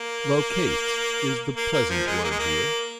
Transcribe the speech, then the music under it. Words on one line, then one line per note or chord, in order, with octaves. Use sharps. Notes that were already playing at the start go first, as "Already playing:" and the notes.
"Locate" is the pleasant word here.
Already playing: A#3
A#3
A#3
F3
G#3
A#3
G#3
A#3